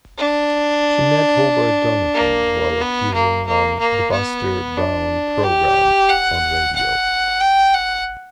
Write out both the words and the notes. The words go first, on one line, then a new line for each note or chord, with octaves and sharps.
She met Hobart Donovan while appearing on "The Buster Brown Program" on radio.
D4
A#3
B3
A#3
A#3
A#3
B3
D4
G4
F#5
F#5
G5
F#5